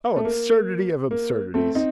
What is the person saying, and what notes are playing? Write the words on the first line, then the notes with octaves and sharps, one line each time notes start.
Oh, absurdity of absurdities!
A3
A#3
A#3
A3 C4
C4 D#4